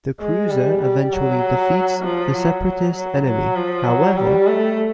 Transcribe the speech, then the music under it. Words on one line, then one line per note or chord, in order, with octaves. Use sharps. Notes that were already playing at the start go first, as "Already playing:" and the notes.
The cruiser eventually defeats the Separatist enemy, however.
G#3
G3
G3
F#3
F3
F#3
F#3
F#3
F#3
F3
F#3
G3
A3